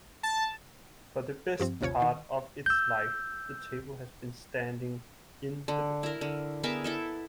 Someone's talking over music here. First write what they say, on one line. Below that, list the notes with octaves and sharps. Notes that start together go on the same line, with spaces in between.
For the best part of its life, the table has been standing in the basement.
A5
G2 F3 C4
A1 D#2 C3 F4 C#5 G#6
D#3
E6 G6
D3
E4 A#4
D3
B3 G#4 A#4 E5
E4 A4 E5